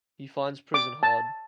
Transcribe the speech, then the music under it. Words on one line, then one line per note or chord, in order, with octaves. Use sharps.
He finds prison hard.
D6
A5